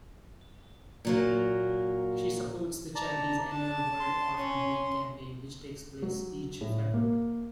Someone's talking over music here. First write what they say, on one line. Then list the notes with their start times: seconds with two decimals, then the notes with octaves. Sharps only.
She supports the charity's annual World Orphan Week campaign, which takes place each February.
1.05 A#2 F#3 A#3
2.95 D5 A5 A#5
3.51 D4 A5
4.00 C6
4.36 C#4
6.02 F#3
6.61 A2
6.93 A#3